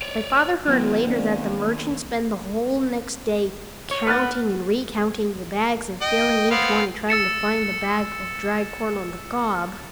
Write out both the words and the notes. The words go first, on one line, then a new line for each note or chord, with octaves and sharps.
My father heard later that the merchant spent the whole next day counting and recounting the bags and feeling each one trying to find the bag of dried corn on the cob.
C#5 D5
D#2 F#3 B3 E4
A#3 C4 D4
C#5
B3 B4 F6 F#6 A6
D#5 G5
B3 C4 F5
E6 A6 C#7 E7